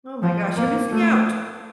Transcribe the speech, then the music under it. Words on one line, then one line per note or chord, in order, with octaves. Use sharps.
Oh my gosh. You're missing out.
F3
A#3
A3